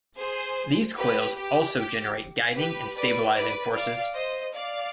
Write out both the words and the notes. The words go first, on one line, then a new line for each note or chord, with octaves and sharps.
These coils also generate guiding and stabilizing forces.
G#4 C5
G4 B4
G4
G4
G4 B4
B4 D5
B4 D5
D5 F5
C5 D#5
D5 F5